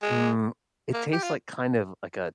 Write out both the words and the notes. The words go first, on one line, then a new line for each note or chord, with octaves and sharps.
mm, it tastes like, kind of, like a
G#3
A#3
G4
F4